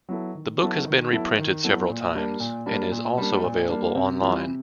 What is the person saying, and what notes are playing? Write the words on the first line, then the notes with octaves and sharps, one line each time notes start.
The book has been reprinted several times, and is also available online.
F#3 B3 E4 A4
D#3
F#3 B3 E4 A4
D#3
F#3 B3 E4 A4
D#3
F#3 B3 E4 A4
A#2
G3 A#3 D4
A#2
G3 A#3 D4
A#2
G3 A#3 D4
A#2
G3 A#3 D4
C3
E3 G3 C4 F4
C3